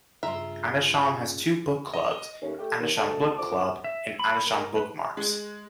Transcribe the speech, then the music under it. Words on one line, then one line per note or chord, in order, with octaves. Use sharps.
Adisham has two book clubs: Adisham Book Club and Adisham Bookmarks.
G2 C#3 F4 G#4 E5 A#5 C6
D#5
D#2 A2 C#4
A3 G4
D#2
D2 A5
D2 F3 D6
E5
B5
A#4
B4
G#3